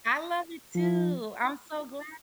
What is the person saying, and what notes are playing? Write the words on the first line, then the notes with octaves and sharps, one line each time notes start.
I love it too, I'm so glad.
F3